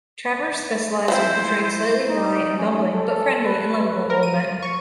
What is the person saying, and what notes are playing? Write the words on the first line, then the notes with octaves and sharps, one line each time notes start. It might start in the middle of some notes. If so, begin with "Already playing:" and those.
Travers specialized on portraying slightly wry and bumbling but friendly and loveable old men.
E3 F3 C4 E4 C5
D#4
C#4
A4
B4
A#4
D#7
C#6